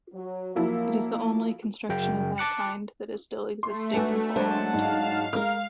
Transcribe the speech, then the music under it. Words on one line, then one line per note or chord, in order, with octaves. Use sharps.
It is the only construction of that kind, that is still existing in Poland.
F#3
F3 F#3 A#3 E4
F#2 C#3 G5
A5 D6 F#6 C#7
A3 C6
D4 F#4 A4 B4 G#5
F#3 G#3 D4 C5 F#5 A5
G#2 F5
G#3 A#4 B4 F6